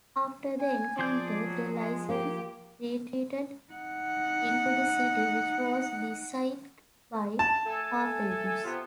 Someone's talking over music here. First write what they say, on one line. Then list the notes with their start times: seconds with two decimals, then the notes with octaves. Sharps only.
After the encounter, the Lycians retreated into the city which was besieged by Harpagus.
0.59 G#5
0.99 F3 G#4 D5 G6
1.45 F#3
1.76 G#3
2.09 A#3 G4
3.72 D#4 F#5
7.39 A5
7.65 A3 A4 G#5
8.63 C3 B3 F4